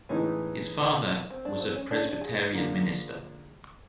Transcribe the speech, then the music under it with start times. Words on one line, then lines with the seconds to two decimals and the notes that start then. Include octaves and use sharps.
His father was a Presbyterian minister.
0.09 A2 E3 G#3 B3 C#4 D#4
1.30 C4
1.45 D4
1.60 C4
1.76 C#4
1.91 D4
2.00 C#4
2.09 D4
2.21 G#4
2.52 D3 F3 A#3 D4